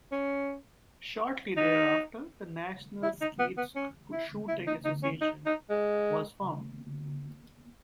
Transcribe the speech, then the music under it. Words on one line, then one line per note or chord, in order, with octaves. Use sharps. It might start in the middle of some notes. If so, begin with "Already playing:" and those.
Shortly thereafter, the National Skeet Shooting Association was formed.
C#4
D#4
E4
D#4
B3
B3
C#4
E4
E4
D#4
D#4
C#4
D#4
D#4
G#3